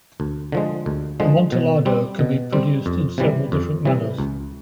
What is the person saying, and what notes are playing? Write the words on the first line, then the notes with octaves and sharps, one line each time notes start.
Amontillado can be produced in several different manners.
D2
D3 F3 G#3
D2
D3 F3 G#3
B2
G3 C4
B2
G3 C4
F2
C3 E3 G3
F2
C3 E3 G3
C#2